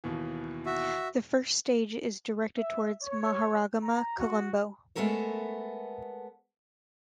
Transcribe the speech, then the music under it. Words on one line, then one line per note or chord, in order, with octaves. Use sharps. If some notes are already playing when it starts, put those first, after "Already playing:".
The first stage is directed towards Maharagama - Colombo.
D#2 B2 E3
F#4 E5
E5
C#5
A#5
F#4
G#3 A3 B3 A4 A#4 C#5